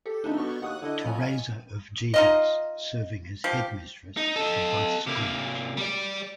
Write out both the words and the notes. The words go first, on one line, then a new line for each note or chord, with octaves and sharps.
Teresa of Jesus serving as Head Mistress for both schools.
G4 A4
D#1 D4 D#4 A4
B2 C#6
D#2 F#5 D#6 F#6
D3 E4 D#5
F2 F4 C#5 G#5
D#4 F4 D#5
F3 G4
D#4
A4 D#5
C3 A#3
G3 D5